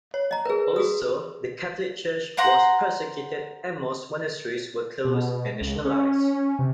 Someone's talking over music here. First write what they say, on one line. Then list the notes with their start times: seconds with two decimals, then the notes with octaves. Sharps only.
Also the Catholic Church was persecuted and most monasteries were closed and nationalized.
0.14 C#5
0.31 D#5 A#5
0.45 G#4 A#4 B4
0.76 F#4 G#4 D#6
2.37 C5 F#5 A#5 C6
5.05 B2
5.61 C#2
5.85 C#4
6.59 C3